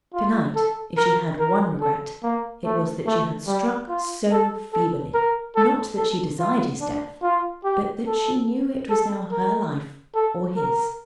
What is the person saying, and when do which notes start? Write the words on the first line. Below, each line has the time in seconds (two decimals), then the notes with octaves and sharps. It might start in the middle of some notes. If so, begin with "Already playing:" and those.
To-night--if she had one regret it was that she had struck so feebly: not that she desired his death, but that she knew it was now her life or his.
0.14 F4
0.56 A4
0.97 A#4
1.39 A#4
1.81 A4
2.23 A#3
2.65 A3
3.07 A3
3.47 G3
3.89 F4
4.32 A4
4.73 A4
5.14 A#4
5.56 A4
5.97 A4
6.40 F4
6.81 D4
7.22 F4
7.64 G4
8.07 A4
8.90 A4
9.31 A#4
10.15 A4
10.56 A#4